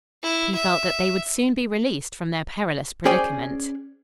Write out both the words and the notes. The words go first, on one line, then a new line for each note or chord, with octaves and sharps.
He felt that they would soon be released from their perilous predicament.
E4
E5
C#4 G#4 C5 D5 G5 G#5